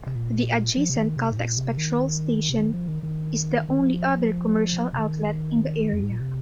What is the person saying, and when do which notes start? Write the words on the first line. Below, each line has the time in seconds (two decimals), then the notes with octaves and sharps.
The adjacent Caltex petrol station is the only other commercial outlet in the area.
0.06 C3
0.15 A#2
0.77 F3
0.90 C3
0.96 D#3
1.16 C3
1.32 G#2
1.37 A#2
1.57 C3
1.77 D#3
2.49 C3
2.58 D#3
2.74 F3
2.88 D#3
3.03 D#3
3.69 D#3
3.79 F3
4.93 C3
4.99 D#3
5.93 F2
6.02 G#2
6.11 A#2
6.20 C3